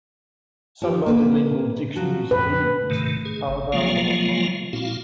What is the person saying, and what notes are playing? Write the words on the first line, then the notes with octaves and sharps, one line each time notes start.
Some multilingual dictionaries of idioms are available on-line.
F3 G4
A#3 B4
F3 F#3 F#4
F2 B4
G#2 C3 D#3 A3
G#4
G1
F3 F#3 G#3 A#3 F4
A#2 C4 E4 F#4 F5